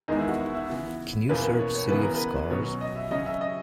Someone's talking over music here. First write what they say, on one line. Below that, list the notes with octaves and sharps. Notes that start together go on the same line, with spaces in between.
Can you search City of Scars?
E2 D#3 G#3 B3 D#4
E4
F#4
E4
E4
C#3 E3 B3
E2 B2 A#3 C#4 B4
C#5
C#5
E2 C#3 E3 B3 B4
A#4
B4
B2 F#3 C#4 C#5
D#5
E5
C#3 F#3 C#4 D#5
E5
D#5